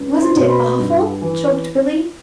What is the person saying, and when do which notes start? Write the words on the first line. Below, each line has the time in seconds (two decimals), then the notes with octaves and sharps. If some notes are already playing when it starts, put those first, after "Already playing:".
"Wasn't it awful!" choked Billy.
Already playing: C#2
0.21 C5 C6
0.36 B2
0.45 C6
0.50 B4 B5
0.78 G2
1.21 E3